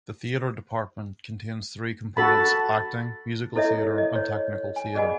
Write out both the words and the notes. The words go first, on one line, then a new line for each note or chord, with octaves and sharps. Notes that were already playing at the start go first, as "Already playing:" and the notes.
The theatre department contains three components: Acting, Musical Theatre and Technical Theatre.
F#4 A4 A5 B5
E4 A4 C#5 D#5 E5
D#5
C#5
G#5
G#4 D5 D#5 F#5 G#5 B5